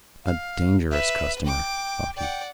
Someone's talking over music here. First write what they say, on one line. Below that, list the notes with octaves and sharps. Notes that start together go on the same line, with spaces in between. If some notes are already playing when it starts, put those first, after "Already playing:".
"A dangerous customer," thought he.
F5
B4 E5
G5 D6
D5 F#5 G5